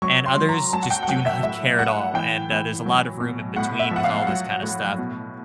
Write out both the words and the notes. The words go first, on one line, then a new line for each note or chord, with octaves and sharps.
And others just do not care at all, and, uh, there's a lot of room in between, with all this kind of stuff.
F#3 C#6
C6
F#3
A#5
F#3 A5
F#5
G5
F#5
F#3 G5
E5
A2 E5
A2 F#5
E3 G5
E3
F#3
B2
A2 F#5
E5
F3 F#5
F5
F#3 F#5
A2
B2